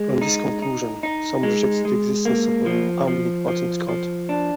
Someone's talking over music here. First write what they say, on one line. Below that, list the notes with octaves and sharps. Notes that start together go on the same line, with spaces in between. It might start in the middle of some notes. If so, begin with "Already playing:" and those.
From this conclusion, some reject the existence of an omnipotent God.
Already playing: G#3
D#4
D#4
D#4
G#3
G#3
A#3
F3
F3
F3
F3
D4